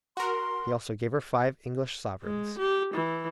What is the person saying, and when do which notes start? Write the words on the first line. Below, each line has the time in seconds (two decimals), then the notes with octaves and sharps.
He also gave her five English sovereigns.
0.17 F#4 A#4 C6
2.24 G#3
2.59 G4
2.94 E3